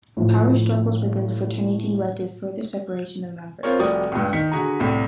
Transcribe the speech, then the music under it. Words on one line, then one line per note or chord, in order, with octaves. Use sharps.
Power struggles within the fraternity led to further separation of members.
A2 F3 A3
C4 F4 A#4 C#5
F1 G3 F#4 D5 D#6
C#2 G2
D#3 B6 C#7
D3 F#4 G#4 A#5
C2 A2